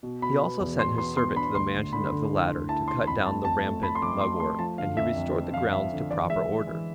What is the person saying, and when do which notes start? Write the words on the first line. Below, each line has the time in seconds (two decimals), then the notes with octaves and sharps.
He also sent his servant to the mansion of the latter to cut down the rampant mugwort, and he restored the grounds to proper order.
0.03 B2
0.22 B2 B5
0.41 B3
0.60 E2
0.79 B2 C6
0.98 B3 C6
1.17 B2 C6
1.36 D4 B5
1.55 D2 C6
1.74 D2
1.93 D3 B5
2.12 D3
2.31 E4
2.50 D2
2.69 E4 A5
2.88 E4 C6
3.07 F2 B5
3.26 A3 A5
3.45 F2 A5
3.64 A3
3.83 A3 B5
3.95 C6
4.02 F2 D6
4.21 A3 C6
4.40 A3 C6
4.59 F3 A5
4.78 D3 F5
4.97 F2 E5
5.16 F2
5.35 F3
5.54 F2 F5
5.73 F2 E5
5.92 D3
6.10 E3 D5
6.30 G#3 E5
6.49 G#3
6.67 E3